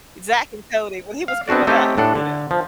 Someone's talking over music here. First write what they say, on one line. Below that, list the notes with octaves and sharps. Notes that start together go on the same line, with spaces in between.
Zack and Cody," when he was growing up, you know?
F5
B3 C4 D4 F#4 D5
A3 C4 C#4 D#4 G4 A4
A2 D4 A4 F#5
D3
F3